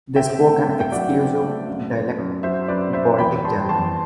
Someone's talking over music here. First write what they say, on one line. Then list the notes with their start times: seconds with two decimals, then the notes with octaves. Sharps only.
They spoke an exclusive dialect, Baltic German.
0.16 C4 E5 G5
0.41 A3
0.66 G2
0.80 G5
0.92 F#3 D5 F#5
1.17 C4
1.43 A3
1.67 F#2
1.92 B3
2.18 F#2
2.43 F#3 C5 E5
2.68 F#2 B4 D5
2.93 B3 C5 E5
3.19 E2 G5 B5
3.44 G3 A5 C6
3.69 E2 A5 C6